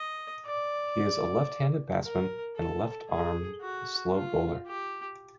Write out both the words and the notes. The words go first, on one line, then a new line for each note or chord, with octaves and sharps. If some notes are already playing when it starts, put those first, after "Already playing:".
He is a left-handed batsman and a left-arm slow bowler.
Already playing: D#5
D5
A#4
A4
G#4
F#4
F4
G4